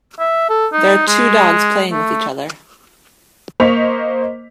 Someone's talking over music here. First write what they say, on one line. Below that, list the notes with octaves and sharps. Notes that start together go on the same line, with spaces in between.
There are two dogs playing with each other.
E5
A4
D#4
G#3
A3
A#3 C5 D#5 C#6 B6 F7